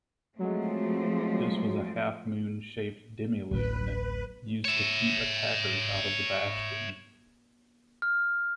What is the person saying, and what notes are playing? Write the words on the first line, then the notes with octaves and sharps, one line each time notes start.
This was a half-moon shaped demi-lune, used to keep attackers out of the bastion.
F3 F#3 G#3 A3 C4
D1 A1 B4
C#5 E5
F6